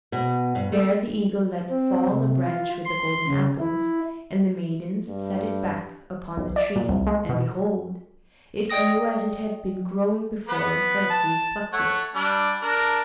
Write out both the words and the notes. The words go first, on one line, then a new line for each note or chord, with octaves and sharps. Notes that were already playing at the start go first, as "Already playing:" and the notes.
There the eagle let fall the branch with the golden apples, and the maidens set it back upon the tree, and behold! it grew as it had been growing before Heracles plucked it.
B2
G2
A3
C4
C3
F4
C6
C#3
E4
G2
B1
D5
A#2
C2
G#3
B2
D5 D#5 G5 D#6 A#6
B3 B4
A5
A3 C#5 F#5
G3 D4
D4 A#4 A5